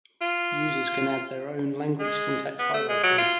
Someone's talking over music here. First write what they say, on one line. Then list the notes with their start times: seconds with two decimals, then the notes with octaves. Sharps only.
Users can add their own language syntax highlighting.
0.21 F4
2.00 G#3
2.59 B3
2.74 A3
2.89 G#3
3.03 F#3
3.18 F4